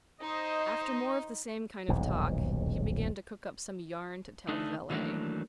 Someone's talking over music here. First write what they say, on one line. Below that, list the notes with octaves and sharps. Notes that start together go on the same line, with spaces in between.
After more of the same kind of talk, he began to cook up some yarn to tell the valet.
D#4 C5 D#5
D#1 B1 E2 G#2
D3 A3 D4 D#4
D#3 E3 F#3 A3 A#3 D4